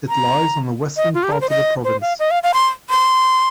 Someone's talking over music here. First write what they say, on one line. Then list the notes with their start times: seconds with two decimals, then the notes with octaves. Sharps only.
It lies on the western part of the province.
0.09 A#5
0.97 D#5
1.15 F4
1.23 G4
1.32 A#4
1.41 C5
1.50 D#5
1.84 C5
2.01 F5
2.19 D#5
2.31 F5
2.43 F5
2.54 C6
2.90 C6